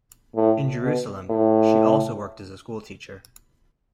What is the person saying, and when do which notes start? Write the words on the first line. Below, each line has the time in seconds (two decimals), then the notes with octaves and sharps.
In Jerusalem, she also worked as a schoolteacher.
0.36 A2
0.82 B2
1.30 A2